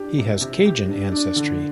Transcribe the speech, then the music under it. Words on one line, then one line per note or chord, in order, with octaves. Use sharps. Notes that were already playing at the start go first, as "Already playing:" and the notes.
He has Cajun ancestry.
Already playing: D4 G4
C3
C3
G4
D4
D4
D3